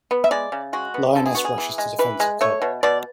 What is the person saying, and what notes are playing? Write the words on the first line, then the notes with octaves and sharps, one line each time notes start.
Lioness Rushes to Defense of Cub.
B3
E5
G#3 D5
C#3
G#3 F#4
B3
D3 A4
G#4
B3 F#4
G#4
E3
G#3
E3 B4
G#3
A3 C#5
B2
B2 D5